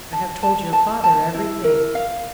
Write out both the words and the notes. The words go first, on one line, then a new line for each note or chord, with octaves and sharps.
"I have told your father everything."
A5
A5
A5
A5
E4
A#4
F5